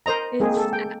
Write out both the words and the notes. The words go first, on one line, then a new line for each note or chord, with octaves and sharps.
it's I
A#4 C5 D#5 A#5
G#3 A#3 C4 G#4
A4
G5